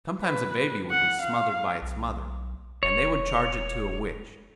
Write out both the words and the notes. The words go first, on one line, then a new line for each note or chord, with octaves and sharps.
Sometimes a baby would be smothered by its mother, and they would charge it to a witch.
B4
F#5
F5
B1
E1 C#5